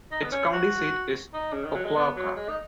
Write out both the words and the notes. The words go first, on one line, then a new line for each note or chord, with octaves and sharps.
Its county seat is Oquawka.
D#4
B3
C#4
F#4
D#4
C#3
D#3
F#3
G#3
B3
F#3
G#3
D#4